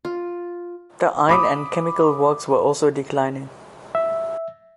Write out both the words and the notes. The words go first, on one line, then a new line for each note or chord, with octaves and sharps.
The iron and chemical works were also declining.
F4
B5 D6 D#6
E5